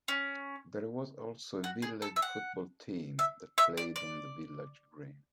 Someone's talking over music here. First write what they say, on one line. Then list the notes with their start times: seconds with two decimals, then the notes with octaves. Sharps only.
There was also a village football team that played on the village green.
0.08 C#4
1.64 F#4
1.82 G#4
2.02 A4
2.16 E5
2.22 F#5
3.19 E5
3.58 E5
3.77 D5
3.96 D5